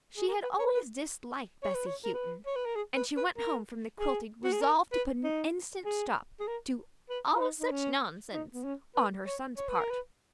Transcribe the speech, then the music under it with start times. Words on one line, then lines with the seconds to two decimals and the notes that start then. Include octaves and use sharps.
She had always disliked Bessy Houghton, and she went home from the quilting resolved to put an instant stop to "all such nonsense" on her son's part.
0.17 G#4
0.28 A#4
0.43 B4
0.59 C#5
0.74 B4
1.63 C#5
1.74 B4
1.86 C#5
2.04 A#4
2.14 B4
2.46 C#5
2.56 B4
2.66 A#4
2.75 G#4
2.96 B4
3.17 B4
3.37 A#4
3.99 G#4
4.44 F#4
4.52 G#4
4.61 A#4
4.92 B4
5.24 D#4
5.85 G#4
6.39 G#4
6.47 A#4
7.09 B4
7.35 F4
7.40 D#4
7.60 D#4
7.71 C#4
8.33 D#4
8.54 B3
8.64 C#4
8.95 B4
9.26 C#5
9.57 C#5
9.68 B4
9.79 A#4
9.90 B4